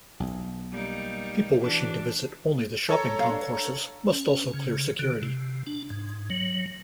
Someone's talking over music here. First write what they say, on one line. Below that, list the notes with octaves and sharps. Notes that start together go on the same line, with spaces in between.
People wishing to visit only the shopping concourses must also clear security.
B1
G3 A#3 D#4
E3 D4 F#4
A4 C#5 A#5
F#2 F5
D4
C#4
C#3
D3
C3
D4
G#2
F#3